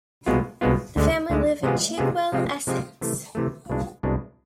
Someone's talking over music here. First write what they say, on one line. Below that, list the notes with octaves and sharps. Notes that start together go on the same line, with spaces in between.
The family live in Chigwell, Essex.
C2 B2 G#3 B3 F4
C2 B2 G#3 B3 F4
D2 D3 G#3
D2 D3 G#3
C3 G#3 B3 F4 G#4
C3 G#3 B3 F4 G#4
C3 F3 G#3 C4 F4
C3 F3 G#3 C4 F4
C3 E3 A3
C3 E3 A3
C2 B2 G#3 D4
C2 B2 G#3 D4